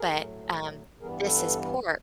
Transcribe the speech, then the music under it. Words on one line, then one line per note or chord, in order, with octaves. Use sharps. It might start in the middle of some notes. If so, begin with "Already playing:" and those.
but, um, this is por
Already playing: G#4 A#4
A2 F#3 A3
G2 E3 G3 B3 G#4 A#4
A4 B4